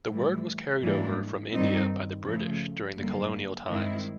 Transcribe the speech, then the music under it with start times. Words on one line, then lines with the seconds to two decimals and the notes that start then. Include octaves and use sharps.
The word was carried over from India by the British during the colonial times.
0.09 A2 E3 G3
0.81 G#2 E3 G3 A#3 D4
1.54 G2 D#3 G3 C4 D#4
2.25 C#3 F3 A3
2.97 F#2 D3 G3 A#3
3.69 G2 D#3 G#3 C4 E4